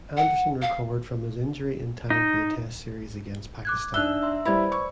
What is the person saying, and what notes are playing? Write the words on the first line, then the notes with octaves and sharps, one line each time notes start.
Anderson recovered from his injury in time for the Test series against Pakistan.
F#5
F5
D#4
D6 F#6 G#6
D4 D#4 D5 E5 E6 F#6 G7
E5 A#5 C6
G3 E4 B4 C5 D5 B5 G#6
C#6